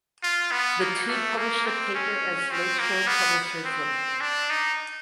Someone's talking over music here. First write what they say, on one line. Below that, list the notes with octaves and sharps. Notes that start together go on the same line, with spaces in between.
The two published the paper as Lakeshore Publishers Limited.
F4
B3
A#3
A3
A#3
C4
C#4
C4
A#3
B3
C4
D4
D#4